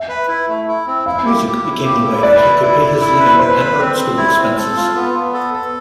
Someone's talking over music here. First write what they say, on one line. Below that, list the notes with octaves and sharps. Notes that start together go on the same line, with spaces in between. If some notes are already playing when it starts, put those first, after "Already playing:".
Music became the way that he could pay his living and art school expenses.
Already playing: E5
B4
E4
A3
E4
C4
E4 F5
G4
G4
E4
G4
E4
B4 D5
E4
E4
E4
E4
B4
B4 C5
B4
C4
C4
E4
C4
A4
F4
B3
B3
A4
A4